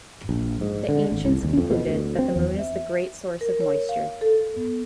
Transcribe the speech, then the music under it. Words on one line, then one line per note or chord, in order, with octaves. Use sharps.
The ancients concluded that the moon is the great source of moisture.
A#1
G#2
D3
G#1
C2
D#2
F2
B2
D2
C4
E2
E5
A#4
C#5
F5
A4
B3